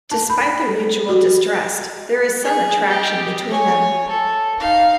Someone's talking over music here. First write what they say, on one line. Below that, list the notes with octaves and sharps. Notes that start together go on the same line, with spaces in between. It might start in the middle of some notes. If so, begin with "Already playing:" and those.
Despite their mutual distrust, there is some attraction between them.
A5
B5
A4
F#4
G#4
G4 D#5
C#5 G#5
A4
D#4 F5